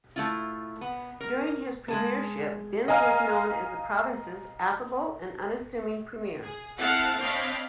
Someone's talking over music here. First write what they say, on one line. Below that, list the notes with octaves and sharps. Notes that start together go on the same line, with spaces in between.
During his premiership, Binns was known as the province's affable and unassuming premier.
A3 E4 F4
B3
A#4
G#3 G#4 A5
D#5 F5 G#5 A#5 F6
G#4
C4 E4 A4 F5 F#5 A5
C4 D4 C#5 D#5 F5 B5